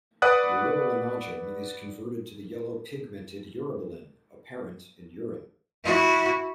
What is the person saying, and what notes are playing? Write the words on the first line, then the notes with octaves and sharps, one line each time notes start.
Urobilinogen is converted to the yellow pigmented urobilin apparent in urine.
B4 D5 F#5 D#6 F#6
E4 F#4